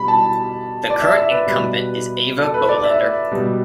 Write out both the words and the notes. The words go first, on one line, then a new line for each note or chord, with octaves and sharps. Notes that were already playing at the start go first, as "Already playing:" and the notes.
The current incumbent is Eva Bolander.
Already playing: B2 G3 B5
A5
D5
E5
E5
B4
B2 G3 B4
A4
B4
D5
E5
B2 G3